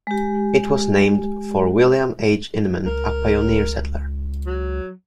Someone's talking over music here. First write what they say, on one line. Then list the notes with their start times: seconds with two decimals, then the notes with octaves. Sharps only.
It was named for William H. Inman, a pioneer settler.
0.07 G#3 G4
2.86 C#2 A#4
4.46 F#3